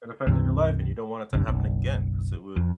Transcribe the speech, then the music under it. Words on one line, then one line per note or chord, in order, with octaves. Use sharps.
It affected your life, and you don't want it to happen again 'cause it would
C#2 G2 C3 E3
F#1 C2 G2 D3
F#1 B1
F2